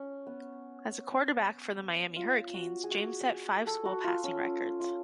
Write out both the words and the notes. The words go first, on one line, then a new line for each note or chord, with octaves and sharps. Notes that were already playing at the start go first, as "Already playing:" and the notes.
As a quarterback for the Miami Hurricanes, James set five school passing records.
Already playing: C#4
B3
F4
F#4
G#4
F#4
G#4
A4
F#4
F4
C#4
C#4
F4